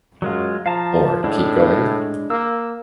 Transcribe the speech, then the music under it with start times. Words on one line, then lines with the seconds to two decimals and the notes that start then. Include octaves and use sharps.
Or, keep going?
0.22 F#2 F#3 G#3 F4
0.66 F3 F5 A5 A#5
1.24 A2 G#3 D4 E4
2.30 A#3 E6